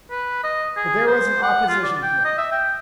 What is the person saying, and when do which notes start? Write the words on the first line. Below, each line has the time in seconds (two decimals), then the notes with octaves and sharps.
But there was an opposition here.
0.11 B4
0.44 D#5
0.77 G#4
1.07 C5
1.42 F#5
1.68 F4
1.83 D5
2.03 G5
2.25 D#5
2.38 E5
2.52 G5